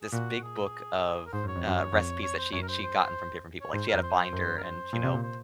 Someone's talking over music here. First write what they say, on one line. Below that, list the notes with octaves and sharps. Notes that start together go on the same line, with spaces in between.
this big book of, uh, recipes that she she'd gotten from different people. Like, she had a binder and, you know,
G#4
A#2 F#4
G#4
A#4
G#2 C5
F#2 C#5
F2
F#2
C#5
F2
C#5
C5
F#2 C#5
A#4
C5
C5
C#5
G#2 C5
F2 A#4
C5
F#2
A#4
C5
A#2
C3
A#2
C5